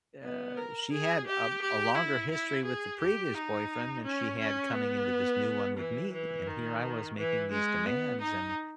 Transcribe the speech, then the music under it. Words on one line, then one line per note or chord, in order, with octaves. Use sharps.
uh, she had a a longer history with the previous boyfriend than she had coming into this new one with me, and here I was making these demands and,
B3
A#4
G#4
G4
G4
E4
E4
G#4
G4
D#4
C#4
C#4
B3
E3
E3
D#3
E3
G#3
B3
D#4